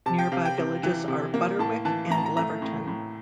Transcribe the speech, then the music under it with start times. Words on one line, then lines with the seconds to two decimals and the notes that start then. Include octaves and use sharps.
Nearby villages are Butterwick and Leverton.
0.06 C3 A5
0.19 G5
0.32 C3 F5
0.45 G5
0.58 C3
0.83 E3
1.08 C3
1.34 A#3
1.59 A2 A5
1.85 E3 A5
2.10 A2 A#5
2.18 A5
2.26 A#5
2.37 A3 A#5
2.62 A2
2.87 A2